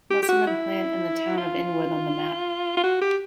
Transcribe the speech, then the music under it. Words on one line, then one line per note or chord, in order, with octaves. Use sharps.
Musselman plant and the town of Inwood on the map.
G4
G4
F#4
E4
F4
F4
F#4
G4